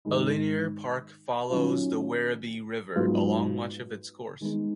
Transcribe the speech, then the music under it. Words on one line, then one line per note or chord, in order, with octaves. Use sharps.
A linear park follows the Werribee River along much of its course.
G#2 D#3 G#3 D#4
D#3 F#3 C#4 F4
G#2 F#3 B3 F4
D#3 G#3 B3 D#4